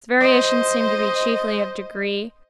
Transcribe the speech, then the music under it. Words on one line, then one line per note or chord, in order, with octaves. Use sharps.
Its variations seem to be chiefly of degree.
C5 D#5